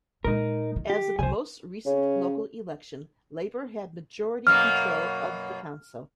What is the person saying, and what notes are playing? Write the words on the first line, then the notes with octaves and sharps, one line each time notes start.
As of the most recent local election, Labour had majority control of the council.
A#2 G#3 D#4 A#4
D#3
G4
C2 C3 C5 G#5
C#3 C#4
F#2 B2 A#3 F6